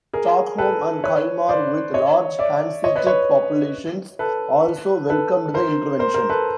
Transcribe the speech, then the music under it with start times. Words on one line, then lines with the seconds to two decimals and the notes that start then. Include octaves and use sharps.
Stockholm and Kalmar, with large Hanseatic populations, also welcomed the intervention.
0.13 G#4 A#4
0.58 A4 B4
1.04 B4 C#5
1.49 C5 D5
1.94 C#5 D#5
2.39 D5 E5
2.84 C#5 D#5
2.96 B4 C#5
3.06 B4 C#5
4.19 A4 B4
5.10 A4 B4
5.54 A#4 C5
5.99 A#4 C5
6.14 A#4 C5
6.30 A4 B4